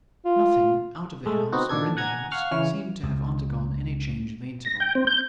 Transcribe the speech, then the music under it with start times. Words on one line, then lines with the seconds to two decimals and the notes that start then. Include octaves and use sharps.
Nothing, out of the house or in the house, seemed to have undergone any change in the interval.
0.25 F4
1.26 G#3 A3
1.52 B3 C4 D#4 F#4
1.69 A#2 D#3 D4 A4 G#6
1.97 F#5 G#5 A#5 G#6
2.32 F5 F#5 C#6 F6
2.51 C#3 E3 C#5 F6
3.03 C#2
4.65 A#6
4.80 G5
4.95 C4
5.07 G6